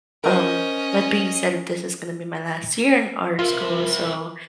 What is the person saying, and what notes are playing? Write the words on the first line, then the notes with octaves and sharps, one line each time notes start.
um, that being said that this is gonna be my last year in art school, so,
C#4 A#4 C5 D#5
C4 E4 F4 A#4